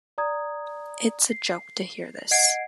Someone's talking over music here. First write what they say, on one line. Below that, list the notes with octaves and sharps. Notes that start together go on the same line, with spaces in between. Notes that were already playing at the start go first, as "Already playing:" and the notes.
It's a joke to hear this.
D5 A#5 D#6 G#6
C7
D#5 F#5 G#6 C7 D7